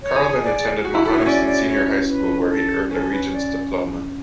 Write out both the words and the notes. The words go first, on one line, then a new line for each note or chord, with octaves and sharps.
Carl then attended Mohonasen Senior High School where he earned a Regents diploma.
C#5
G#4
G#4
D5
F#4
E4
E4 A4
B4
D4 C#5
C#4 D5
D5
C#5
B4
A4
C#4 A4
A4
B4
D5